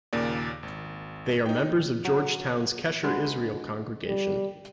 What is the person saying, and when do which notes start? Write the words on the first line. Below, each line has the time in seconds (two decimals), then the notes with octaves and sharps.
They are members of Georgetown's Kesher Israel Congregation.
0.13 D#2 A#2 C#3 A#3 D5
0.63 G#1
1.46 D#4 G5
2.05 F#3
3.04 D3 G#3 B4
4.05 G3